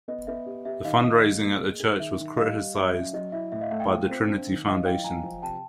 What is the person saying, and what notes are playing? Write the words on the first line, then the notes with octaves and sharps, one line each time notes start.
The fundraising at the church was criticized by the Trinity Foundation.
B3 D#5
B3 E5
G4
G4 E5
D#3 D#5 F5
D#3 D#5
G3
A#3
G#4
G#4
D#3 E5
D#3
G3 D#5 F5
G3
F#3 E5
C#4 E5
F#3 D#5
E4 E5
A2 E5
D#5 F5
A3 E5 F#5
F5 G5
F4
C4
D4
D#3
F3 D#5 F5
E4 F5 G5
F3 G#5 A#5
F3
C3 G5 A5